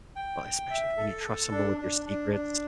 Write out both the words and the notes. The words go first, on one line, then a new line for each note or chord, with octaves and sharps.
well, especially when you trust someone with your secrets.
G5
G5
E5
A4
A4
D4
D4
D4
D4